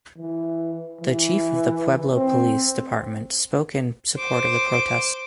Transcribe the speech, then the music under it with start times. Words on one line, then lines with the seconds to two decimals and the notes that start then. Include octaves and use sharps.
The chief of the Pueblo Police Department spoke in support of the protest.
0.17 E3
1.01 E3
2.15 C4
4.18 C5 D6